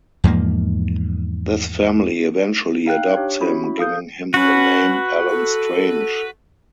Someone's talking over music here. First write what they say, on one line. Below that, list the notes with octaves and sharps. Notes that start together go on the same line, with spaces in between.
This family eventually adopts him, giving him the name "Allen Strange".
E2 G#2 F3 A#3
D#4 F5 G5 F#6
D4 G4 C#5
C#4 E4 F#4 B5
A4 F5 D#6 G6
C#4 F#4 B4
A4